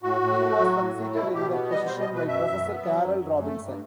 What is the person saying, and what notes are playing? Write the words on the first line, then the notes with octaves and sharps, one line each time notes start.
He was succeeded in that position by Professor Carol Robinson.
A2 F#4
A2
A3
F#3
A2
A2
B2 E4
B2 G4
B3
G3 D#5
B2 C5
D#5
B2 B4
F#2 E5
F#2
B3
F#3
F#2
F#2
A3
G2